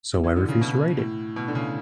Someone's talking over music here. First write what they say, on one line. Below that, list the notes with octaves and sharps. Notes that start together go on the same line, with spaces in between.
So I refused to write it.
E3
D3
C#3
B2
A2
B2
D3
C#3